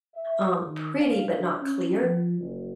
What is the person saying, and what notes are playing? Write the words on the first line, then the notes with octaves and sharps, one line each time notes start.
um, pretty but not clear,
E5
D#3
F5
D4
C#4
F3
F#1